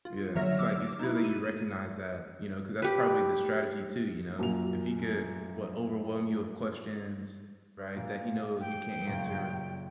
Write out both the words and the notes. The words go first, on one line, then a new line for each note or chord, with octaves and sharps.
Yeah, like, it's good that you recognize that, you know, ‘cause that's probably the strategy too, you know, if he could, what, overwhelm you with questions, right, that he knows you can't answer
F4
D3 F#3 C#5 E5 F6 A#6
D6 E6 F6
D#4 E4
D#7
G4 B4
F#2 A#2 F#4 F7
A#2 A#3
G5
F#2 A#2 C#3